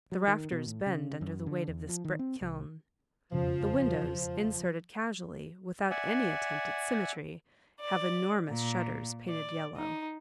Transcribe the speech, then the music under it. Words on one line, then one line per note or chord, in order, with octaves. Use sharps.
The rafters bend under the weight of this brick-kiln. The windows, inserted casually, without any attempt at symmetry, have enormous shutters, painted yellow.
F#3
D#3
B2
A2
C#3
F#2
D3
E2
F3
D#3
C4
C2
E1 F2 C#3 F3
D5 E5 F#5 G#5
D5
A#2
D5
D#4